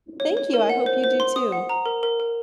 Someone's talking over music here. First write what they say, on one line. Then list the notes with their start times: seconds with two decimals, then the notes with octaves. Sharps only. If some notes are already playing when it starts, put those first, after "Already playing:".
Thank you, I hope you do too.
0.20 C#5
0.37 C#5
0.54 A#4
0.70 F#5
0.86 C5
1.04 C5
1.20 C6
1.36 D#6
1.52 F#5
1.69 A#5
1.86 A#4
2.03 A#4
2.20 A#4